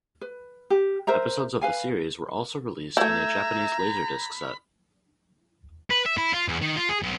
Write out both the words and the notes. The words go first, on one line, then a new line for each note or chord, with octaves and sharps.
Episodes of the series were also released in a Japanese laserdisc set.
B4
G4
A#4 C5 E5 A#5
B4 F5 G#5
A3 E4 E5 A#5 G6 G#6
B5
B4
E5
E4
F4
E2
D#3
F4
G#4
B1